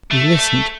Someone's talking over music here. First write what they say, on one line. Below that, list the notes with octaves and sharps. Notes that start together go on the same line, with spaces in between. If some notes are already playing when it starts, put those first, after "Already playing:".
We listened.
A3